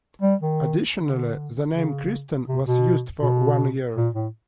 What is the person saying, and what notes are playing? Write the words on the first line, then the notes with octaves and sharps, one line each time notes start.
Additionally, the name Kristen was used for one year.
G3
D#3
D3
C#3
C3
B2
B2
A#2
A2